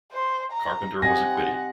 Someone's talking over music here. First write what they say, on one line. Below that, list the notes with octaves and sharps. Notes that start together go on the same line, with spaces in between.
Carpenter was acquitted.
C5
A#5
C4 G4 D#5 F#5 G#5 A#6